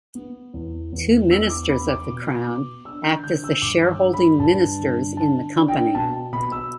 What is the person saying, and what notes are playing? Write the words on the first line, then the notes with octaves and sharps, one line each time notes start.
Two Ministers of the Crown act as the shareholding ministers in the company.
B3
E2
E2
B3 E6
D6
B3 B5
D6
B2
B3
D4 E6
G6
D3 G6
E6
G2 D6
E6
G3
B5
G2 A5
D3
D3 A5
D4
G5
B2 A5
B2 B5
E6